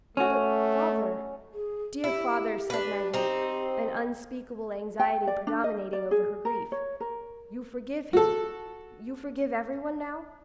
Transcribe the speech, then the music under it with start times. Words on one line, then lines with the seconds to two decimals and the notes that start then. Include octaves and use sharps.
"But, father, dear father," said Maggie, an unspeakable anxiety predominating over her grief, "you forgive him--you forgive every one now?"
0.17 A3 C#4 F#4
1.53 G#4
2.04 E4 G4
2.70 D4 B4
3.14 C4 D#4
4.99 G5
5.27 D5
5.47 D4
5.64 D#5
5.93 D5
6.11 G#4
6.45 A#4
6.72 C#5
7.00 A#4
8.13 F#4 A4